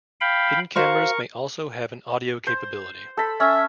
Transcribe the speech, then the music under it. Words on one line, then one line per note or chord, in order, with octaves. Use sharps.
Hidden cameras may also have an audio capability.
F5 G5 B5
F#4 A#4 C5 F5 C#6
C5
A4 B5
C#4 E5